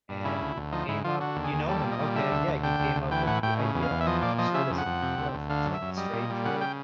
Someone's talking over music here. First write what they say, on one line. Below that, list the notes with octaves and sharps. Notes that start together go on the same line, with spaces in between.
and he came up You know him, okay? Yeah, he came up with the idea of absurdism, and he wrote things like The Stranger,
G2
C#3 E4
D2
D2
F3 D#4
G#2 E4
F3 F4
D3 F#4
D#2
G#4
D#2
G3 A4
A#2
D#5
G3
D3 E5
D2
D2
D3 G5
D2
D2
E3 G5
A2 F#5
A2 G5
C#3
E2
F5
E2
E5
F3 D#5
A#2 D5
F3 D#5
C#3 E5
F2
F#5
F2
C3
D2
D2
D3 F5
F#2
E5
F#2
G3 D#5
A#2
G3
C#3 F#5
G5